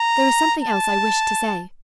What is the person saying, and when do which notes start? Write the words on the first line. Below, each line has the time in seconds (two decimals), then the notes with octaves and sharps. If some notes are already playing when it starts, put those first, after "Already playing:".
There is something else I wished to say.
Already playing: A#5
0.62 A5